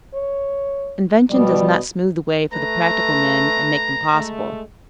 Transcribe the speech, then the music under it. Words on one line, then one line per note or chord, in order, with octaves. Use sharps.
Invention does not smooth the way for the practical men and make them possible.
C#5
B2 F3 G3 B3 D5
A3 B4 A#5
G#3 A3